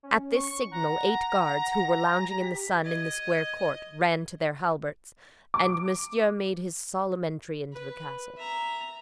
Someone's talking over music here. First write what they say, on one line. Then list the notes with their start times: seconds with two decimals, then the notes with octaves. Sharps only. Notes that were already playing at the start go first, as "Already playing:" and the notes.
At this signal, eight guards, who were lounging in the sun in the square court, ran to their halberts, and Monsieur made his solemn entry into the castle.
0.03 C#4
0.34 C#6
0.71 F#5 A#5
2.16 G#5
2.40 G4 B6
2.84 D#5 G#6
5.54 D6
7.73 B4
8.38 E5 A#5